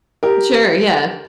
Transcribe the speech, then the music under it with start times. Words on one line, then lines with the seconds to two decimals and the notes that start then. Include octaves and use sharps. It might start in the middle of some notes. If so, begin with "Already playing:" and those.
Sure, yeah.
0.23 G4 A#4